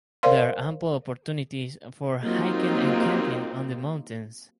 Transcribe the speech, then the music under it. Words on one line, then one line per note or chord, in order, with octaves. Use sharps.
There are ample opportunities for hiking and camping on the mountains.
A#4 C5 D5 F5 C6
F#3 A#3 C4 D#4 F4 G4